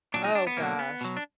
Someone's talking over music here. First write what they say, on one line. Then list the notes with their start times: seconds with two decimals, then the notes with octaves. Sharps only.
Oh, gosh.
0.14 A#2 F#3 D4
0.24 D#4
0.35 D4
0.47 B3
0.57 B2 F#3 A#3
0.79 B3
1.01 B2 F#3
1.17 D4